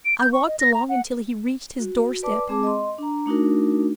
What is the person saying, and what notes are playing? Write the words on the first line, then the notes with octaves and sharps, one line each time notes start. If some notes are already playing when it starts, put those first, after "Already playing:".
I walked along until he reached his door step.
D7
G6
C#6
D#5
A#6
A#5
F#5
F#4
B4 D5 A5 D6
G#3 C4 G#4 A5 D6
D#5 C6
D4 A#5
A3 D4 D#4 F#4 A#4